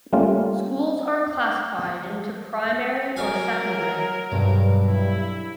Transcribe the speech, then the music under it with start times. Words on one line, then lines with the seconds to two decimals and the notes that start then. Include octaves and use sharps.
Schools are classified into primary or secondary.
0.13 G3 A3 A#3 C#4 F4
3.16 F#3 A#4 E5 F5 G#5
4.32 B1 G2
4.87 E4